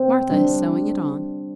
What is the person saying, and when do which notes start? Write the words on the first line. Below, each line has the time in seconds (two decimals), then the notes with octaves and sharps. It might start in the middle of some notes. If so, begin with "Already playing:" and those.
"Martha is sewing it on."
Already playing: C4
0.31 G3 D4